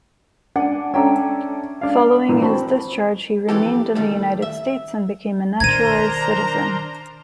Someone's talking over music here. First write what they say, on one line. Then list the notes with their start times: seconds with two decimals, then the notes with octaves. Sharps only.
Following his discharge, he remained in the United States and became a naturalized citizen.
0.56 D4 F#5 G#5
0.94 C#4 D4 A4 E5 G5 A#5
1.81 D4 F5
2.29 A#1 E3
2.42 C4 F#4 A5 B5
3.49 F2 E3 G4 A4
3.95 A2 D#3 G3 A3
4.42 E5
5.60 B2 D#3 D4 A#4 C5 A#5 G#6 D#7